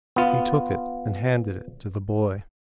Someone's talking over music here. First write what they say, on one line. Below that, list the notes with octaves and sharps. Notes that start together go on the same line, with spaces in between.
He took it and handed it to the boy.
B3 F4